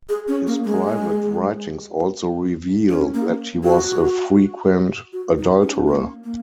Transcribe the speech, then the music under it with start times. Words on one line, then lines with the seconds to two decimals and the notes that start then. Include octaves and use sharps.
His private writings also reveal that he was a frequent adulterer.
0.09 G#4
0.28 C#4
0.47 A#3
0.65 G#3
2.89 C#4
3.14 A#3
3.64 F#4
5.13 F#4
5.38 D#4
5.62 C#4
5.88 A#3
6.24 A#3